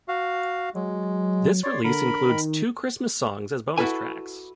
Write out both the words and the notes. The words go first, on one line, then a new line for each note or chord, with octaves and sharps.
This release includes two Christmas songs as bonus tracks.
F#4 F5
F#3 G#3
C#5 D5 C6
D3 A#4 B5
D#3
E4 F#4 G4 A4 B4 G#5